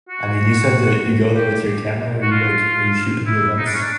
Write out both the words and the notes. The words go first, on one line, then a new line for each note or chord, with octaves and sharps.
I mean, you said that you go there with your camera. Are you like, are you shooting the events?
F#4
G4
F#4
F4
E4
D#4
D4
C#4
D4